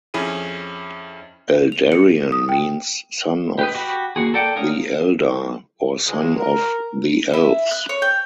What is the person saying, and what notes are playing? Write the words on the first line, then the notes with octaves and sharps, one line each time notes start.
"Eldarion" means "Son of the Eldar" or "Son of the Elves".
F2 C#4 E4 G#4 D#7
F7
C#7
D#6
G5
G4 B4 D#5
F#4 G4 B5
A#3 C4 F#4 G#4
A4 A#4 D5 F#5 G5
A#4 C#5 F5 D#6
C#2 G#3
A#4
E4
F#6
C#5
G5